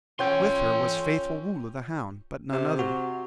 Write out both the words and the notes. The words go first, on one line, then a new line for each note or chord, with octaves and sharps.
With her was faithful Woola the hound, but none other.
C#4 F4 A4 C#5 G5 C6
C3
F#4